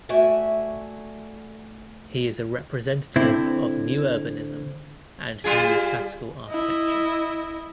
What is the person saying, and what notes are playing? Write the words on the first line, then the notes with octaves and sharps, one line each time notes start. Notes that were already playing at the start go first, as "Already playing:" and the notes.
He is a representative of New Urbanism and New Classical Architecture.
A3 F#4 D5 E5 G#5
D3 C4 E4
G3 F4 G#4
E4 D#5